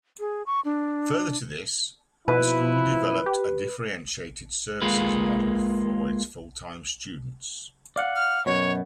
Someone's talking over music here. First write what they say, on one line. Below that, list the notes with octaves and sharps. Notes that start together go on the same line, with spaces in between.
Further to this, the school developed a Differentiated Services Model for its full-time students.
G#4
C#6
D4
B2 F3 E4 B4
G4
G#3 A#3 F4 B4
D5 F5 F#5
F6
F#2 B2 C#5